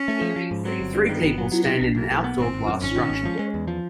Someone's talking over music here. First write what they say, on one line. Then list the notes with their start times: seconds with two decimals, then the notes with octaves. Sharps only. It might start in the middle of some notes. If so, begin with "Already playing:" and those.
Three people stand in an outdoor glass structure.
Already playing: C#4
0.08 A3
0.21 F3
0.36 F3
0.51 G#2
0.65 F#3 C4
0.80 G1
0.94 G2
1.08 D#3 B3
1.23 G1
1.38 F#3
1.52 F#3
1.66 B2
1.81 B1
1.95 B1 A#3
2.10 B1
2.24 B3
2.38 G#1 C4
2.53 G#1
2.68 F#2
2.81 G#1 C#4
2.96 D#3
3.10 G#1
3.25 F3
3.39 G#3
3.54 E2
3.68 F3